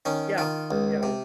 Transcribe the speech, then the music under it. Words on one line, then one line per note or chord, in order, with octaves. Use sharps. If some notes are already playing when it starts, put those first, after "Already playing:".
Yeah, yeah.
D#3 C#4
D#3 F4
C#2
C3